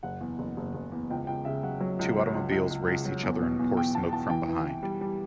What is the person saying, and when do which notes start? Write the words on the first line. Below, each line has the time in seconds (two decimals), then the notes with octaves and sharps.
Two automobiles race each other and pour smoke from behind.
0.03 F#1 F#5
0.21 E2
0.39 F#1
0.57 F#1
0.74 F#1
0.92 E2
1.10 C#2 G5
1.27 C#2 G5
1.45 C#3 E5
1.63 F#3 F#5
1.80 F#3
1.99 C#2
2.17 F#3
2.34 C#2
2.52 C#2
2.70 C#2
2.87 C#2
3.05 F#3
3.23 E2
3.41 B2
3.59 E2
3.77 E2 G5
3.94 E2 A5
4.13 E2 A5
4.30 E3 G5
4.48 E3
4.66 E3
4.83 G3
5.01 G3